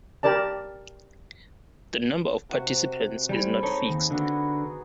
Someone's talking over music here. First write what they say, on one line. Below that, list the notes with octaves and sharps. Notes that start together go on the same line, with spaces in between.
The number of participants is not fixed.
G4 A#4 D5 A5
C3 F#4
G3 C4 G#5 B5
D#4 G#4 A4 C#5
D#2
D3 B3 F#4 G#4